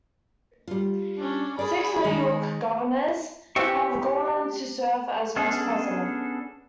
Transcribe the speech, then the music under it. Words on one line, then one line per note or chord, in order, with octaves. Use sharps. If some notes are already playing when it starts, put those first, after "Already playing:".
Six New York governors have gone on to serve as vice president.
G3 F4
C#4 D4
G#4 A#4 D5 B5
D#3 G#3 D#4
E3 C4 D4 G4 E5 F5 C#6
B3 C#4 D4 G#4 A4